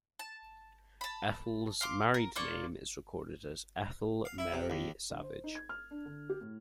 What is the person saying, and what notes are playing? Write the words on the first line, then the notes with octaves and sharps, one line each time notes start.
Ethel's married name is recorded as Ethel Mary Savage.
A5
A5 B5
F5 C6 D6
A#4
A#3 F4 D5 C#6
F5
E4
C3
D#2
D3
C5
D#4
G#6
F6
D4
D3
G4
A2